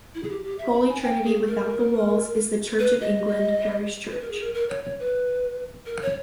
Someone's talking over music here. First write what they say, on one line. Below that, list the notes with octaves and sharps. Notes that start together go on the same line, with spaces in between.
Holy Trinity-Without-The-Walls is the Church of England parish church.
E4
G#4
G4
G4
E5
B5
G#5
G5
G#4
A#4
B4
D#5
B4
A#4
G#4
A#4
A#4
C#5
C#5
B4
A#4
C#5